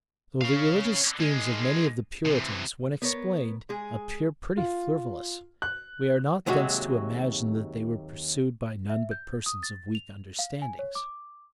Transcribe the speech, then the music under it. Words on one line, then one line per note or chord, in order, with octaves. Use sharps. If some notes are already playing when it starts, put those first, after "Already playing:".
Though the religious schemes of many of the Puritans, when explained, appear pretty frivolous, we are not thence to imagine that they were pursued by none but persons of weak understandings.
C#4 F5
D#3 G#3
C3 E3
B3 A#4 C#5
G#3 G#4
F4
F#6
D#2 C3 F#3 G#3 F#4
E5
G6
D#6
A6
F7
F5
G#5
C#5
D6